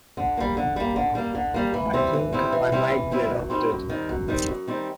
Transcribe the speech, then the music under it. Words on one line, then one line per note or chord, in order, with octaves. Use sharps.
I think I might be adopted.
D3
G3 A#3
D3
G3 A#3
D3
G3 A#3
D3
G3 A#3
E3
G3 C4 E4
E3
G3 C4 E4
E3
G3 C4 E4
E3
G3 C4 E4
F#2
D#3 G3 C4
F#2
D#3 G3 C4
F#2
D#3 G3 C4
F#2
D#3 G3 C4